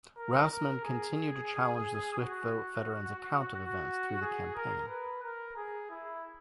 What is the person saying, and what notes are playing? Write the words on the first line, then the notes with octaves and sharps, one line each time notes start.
Rassman continued to challenge the Swift Boat Veterans' account of events throughout the campaign.
A#4
A#4
G#4
F#4
F#4
G#4
A#4
B4
A#4
G#4
E4